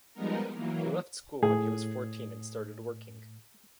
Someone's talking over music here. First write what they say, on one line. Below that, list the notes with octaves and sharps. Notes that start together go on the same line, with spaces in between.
He left school when he was fourteen and started working.
F3 G3 G#3 B3 D#4 A#4
E3 F#3 A#3
A2 G#4